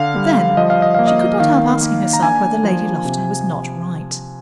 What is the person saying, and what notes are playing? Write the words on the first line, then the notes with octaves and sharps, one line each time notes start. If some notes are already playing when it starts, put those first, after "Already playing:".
But then she could not help asking herself whether Lady Lufton was not right.
Already playing: D3 F5
G3
F3 D#5
F5
D#5
A#3 F5
D#5
D#3 F5
A#3
A#5
D4 G#5
F3
C3